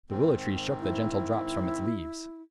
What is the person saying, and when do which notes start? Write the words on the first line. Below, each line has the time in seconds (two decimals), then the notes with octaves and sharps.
The willow-tree shook the gentle drops from its leaves.
0.10 G#2 D#3 C4
0.80 E4